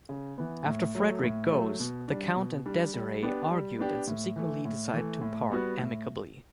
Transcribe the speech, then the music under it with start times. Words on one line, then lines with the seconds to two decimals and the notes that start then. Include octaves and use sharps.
After Fredrik goes, the Count and Desiree argue and subsequently decide to part amicably.
0.09 C#3
0.38 E3 B3
0.66 A2
0.95 F#3 A3
1.23 A2
1.51 F#3 A3
1.80 B2
2.08 G3 D4
2.36 B2
2.66 G3 D4
2.94 G3
3.23 B3 D4 G4
3.51 G3
3.79 B3 D4 G4
4.07 A2
4.36 E3 A3
4.65 A2
4.93 E3 A3
5.22 A2
5.50 G3 B3 F#4
5.79 A2